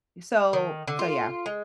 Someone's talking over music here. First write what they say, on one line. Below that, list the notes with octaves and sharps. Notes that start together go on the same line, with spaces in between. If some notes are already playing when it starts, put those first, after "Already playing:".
so so, yeah.
D#3
D3
F4
G#3